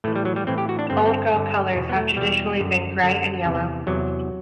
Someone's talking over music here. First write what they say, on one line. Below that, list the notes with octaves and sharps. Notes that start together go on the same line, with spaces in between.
Old Girl colors have traditionally been grey and yellow.
A2 E3 A3
G3
F#3
G3
A2 E3 C4
G4
F#4
D4
G2 D3 C4
B3
C4
G2 D3
E2 B2
B3
A3
E2 B2 G3
F#2 D3
F#2 D3
E2 C3 E3
E2 C3 E3 F#3